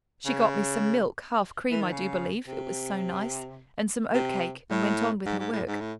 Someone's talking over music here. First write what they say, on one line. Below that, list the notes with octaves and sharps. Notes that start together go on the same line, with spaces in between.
She got me some milk--half cream I do believe, it was so nice--and some oatcake, and went on with her work.
C#3
E3
D#3
C#3
C3
C3
A2
G#2
G#2
A2
G#2
A2